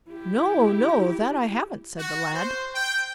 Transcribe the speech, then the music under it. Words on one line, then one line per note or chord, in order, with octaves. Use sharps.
'No, no; that I haven't', said the lad.
E4 G4
F#4
C5
G5